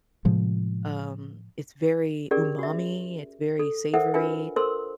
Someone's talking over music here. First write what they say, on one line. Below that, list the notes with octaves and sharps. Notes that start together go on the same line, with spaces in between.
um, it's very umami, it's very savory
A2 C3 F3 G#3
C#4 G4 G#4 A#4 D5
F#4 E5
A4
A4 A#4 C5 E5 F#5
D4 F4 A#4 B4 E5 G#5
A4 A#4 C5 C6 E6